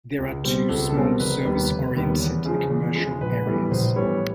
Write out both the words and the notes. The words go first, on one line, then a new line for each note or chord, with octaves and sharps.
There are two small service-oriented commercial areas.
C#2
B2 G3 C4
C#2 A4
A4
B2 G3 C4 A#4
F1 B4
D#2 D#3 G3 B3
F1
D#2 D#3 G3 B3
E2
C#3 F3 G#3
E2
C#3 F3 G#3
A#1 B4
A2 E3 G3 B3
A#1 C5
A2 E3 G3 B3 C#5